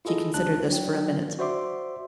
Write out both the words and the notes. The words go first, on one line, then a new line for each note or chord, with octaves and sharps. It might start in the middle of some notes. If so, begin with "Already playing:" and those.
She considered this for a minute.
E4 F4 G#4 A4 D#5
C#2 D4 A5 F#6
F#3 D4 G5
F#4 C5 D5 E5 C6 D6